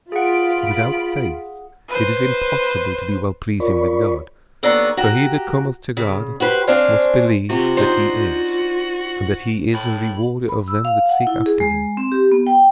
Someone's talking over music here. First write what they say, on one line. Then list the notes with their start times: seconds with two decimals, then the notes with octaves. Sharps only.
And without faith it is impossible to be well-pleasing with God; for he that cometh to God must believe that he is, and that he is a rewarder of them that seek after him.
0.12 F4 G#4 F#5 B5 D7
1.89 B4 C5
3.60 F4 A#4 C#5 D5 B5 C#6
4.63 D#2 B3 D4 A4 C#5 A#5
4.97 F#4 G4 A#5
5.97 C#3
6.40 F#4 G4 B4 C5
6.67 C4 D4 C5 C#5 F5 G#5
7.50 C3 F4 F#4
7.77 D4 D#4 C5
9.74 A2 B5
10.49 B5
10.68 E6
10.85 F5
11.09 F#5
11.27 E4
11.46 G#4
11.60 G#3
11.97 C4
12.12 G4
12.32 B3
12.47 G5